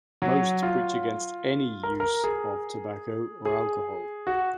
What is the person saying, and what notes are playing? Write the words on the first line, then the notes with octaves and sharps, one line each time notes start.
Most preach against any use of tobacco or alcohol.
F#3
F4
A#4
A#4
G#4
G#4
F#4